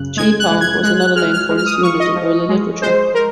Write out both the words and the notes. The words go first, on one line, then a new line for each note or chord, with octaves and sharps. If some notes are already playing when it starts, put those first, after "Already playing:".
"Geepound" was another name for this unit in early literature.
Already playing: F#2 C#3 F#6
G#3 G#6
F#6
G#3
G#6
G#3 F#6
F#6
G#3 F6
F6
G#3
F6
D#6
F3 C#6
D#5
F3
G#3
G#3 C5
A#4